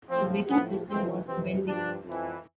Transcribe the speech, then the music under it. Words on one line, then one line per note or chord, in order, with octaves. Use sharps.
The braking system was Bendix.
A2 F3 C4
A2 F3 B3
F2 E3 C4
F2 C3 E3 C4
G2 F3 D4
F2 E3